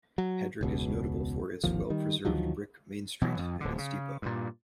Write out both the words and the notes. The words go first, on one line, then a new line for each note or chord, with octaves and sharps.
Hedrick is notable for its well-preserved brick Main Street and its depot.
F#3
E1 C#2 B2
D1 G#1 D#2 F3
D#3 G3
D2 D#3 F3 F#3
B2 E3 F#3
F2
D1 D3
C#3
G2 A#2